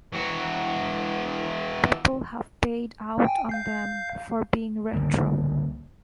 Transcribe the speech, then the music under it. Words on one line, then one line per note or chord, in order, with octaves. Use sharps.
People have paid out on them for being retro.
E3 F#4
G5 G#5
F5 G6 C7
C#2 D3 G3 A#3